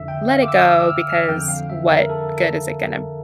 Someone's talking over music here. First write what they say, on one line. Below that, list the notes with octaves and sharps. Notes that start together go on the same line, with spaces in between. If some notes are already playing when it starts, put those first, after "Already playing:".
let it go because what good is it gonna
Already playing: F2 D3 E5
G5
F5
D6
E6
E6
F6
F6
F2 D3 G5
F5
E5
A#4
A4